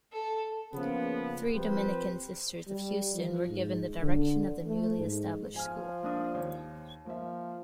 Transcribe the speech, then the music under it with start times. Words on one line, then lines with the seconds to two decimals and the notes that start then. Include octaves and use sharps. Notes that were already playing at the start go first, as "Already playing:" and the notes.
Three Dominican Sisters of Houston were given the direction of the newly established school.
0.12 A4
0.73 C#3 F3 A#3 B3
1.53 F3 C4 G4 B4 C5
2.68 G3
3.15 F3
3.49 G#2
4.02 D3
4.66 A3
4.98 G#2
5.56 F3 G#5 F6
6.03 A#3 D4 D#6
6.34 D#2 C5 C#5
7.06 F3 A#3 E5